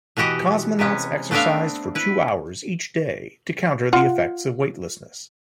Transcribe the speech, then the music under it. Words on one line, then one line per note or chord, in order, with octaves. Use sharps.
The cosmonauts exercised for two hours each day to counter the effects of weightlessness.
B2 E3 F#4 G4 D#5
C3 G#3 B3 C#4
A3 B3 C4 D4 E5 F5
E4 B4
F4 F#5